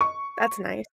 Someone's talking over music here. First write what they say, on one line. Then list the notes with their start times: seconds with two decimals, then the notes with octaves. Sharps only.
That's nice
0.01 C#6